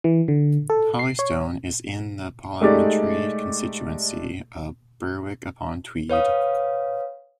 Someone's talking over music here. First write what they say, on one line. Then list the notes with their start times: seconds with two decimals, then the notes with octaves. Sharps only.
Holystone is in the parliamentary constituency of Berwick-upon-Tweed.
0.04 E3
0.28 D3
0.70 A4
0.99 C7
1.19 C#5
2.61 G#3 A3 D#4 G4 D5
6.10 B4 C#5 F5 D#6